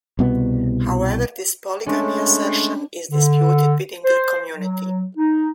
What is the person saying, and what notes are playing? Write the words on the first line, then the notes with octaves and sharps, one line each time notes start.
However this polygamy assertion is disputed within the community.
C2 B2 B3
G#3 A3 C#4 D4
D3
C5
F#3
D#4